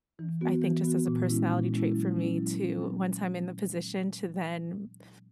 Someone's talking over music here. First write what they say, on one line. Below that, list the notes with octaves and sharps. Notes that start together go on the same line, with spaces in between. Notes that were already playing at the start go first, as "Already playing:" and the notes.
f I think, just as a personality trait for me to once I'm in the position to then m
E3
B3 F#4
E3
B3 F#4
A#2
G#3 C#4 E4
A#2
G#3 C#4 E4
F#3
C#4 E4
F#3
C#4 E4
F#3